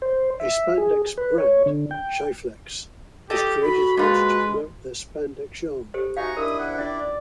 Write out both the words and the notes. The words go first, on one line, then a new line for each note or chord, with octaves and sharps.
A spandex brand, Sheiflex, is created in order to promote their spandex yarn.
C5
E5
G#4
B4
C#5
D3
G5
G4 A4 D#5
F#4 B5
A#2 G#3 F4 B4
G4 A4 C5
A3 D#4 F#4 F5 G#5 A#5 C#6
D#3 D4 E4 A#4 D#6
F2 F#5
C#4 F4 D5